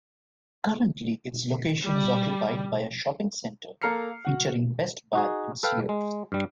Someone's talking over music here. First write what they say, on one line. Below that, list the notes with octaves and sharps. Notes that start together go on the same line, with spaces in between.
Currently its location is occupied by a shopping center featuring Best Buy and Sears.
G3
A#3 A4 A#5 F6 C7 C#7
F#4 F#5
D#4 F#4 G#4
A4 B4 F5 G5
G#3
G2 G3